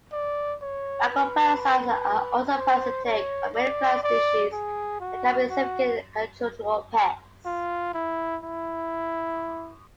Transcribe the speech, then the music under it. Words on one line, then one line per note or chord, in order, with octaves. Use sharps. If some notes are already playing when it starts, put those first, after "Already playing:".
Macroparasites are also parasitic of many plant species, and can be significant agricultural pests.
D5
C#5
B4
C5
C#5
D5
D5
G#4
F#4
F#4
F4
E4
E4